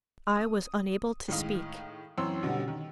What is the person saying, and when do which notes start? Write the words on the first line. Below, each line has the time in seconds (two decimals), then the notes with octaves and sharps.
I was unable to speak.
0.37 D#6
1.28 A2 D#3 G#3 F5 D#6
2.18 F#2 E3 C4 C#5 C6 E6
2.43 B2 D3 G3 C#4
2.68 D#3